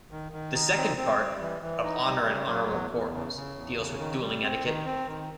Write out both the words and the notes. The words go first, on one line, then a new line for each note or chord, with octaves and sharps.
The second part, "Of Honor and Honorable Quarrels"," deals with dueling etiquette".
D#3
D#3
D#4
C4
C4
G3
E3
E3
D#4
G3
C#3
F#3
E2
E2
C#3
C#3
E2
C#3
D#3
G3
C4
D#3
C4
D#3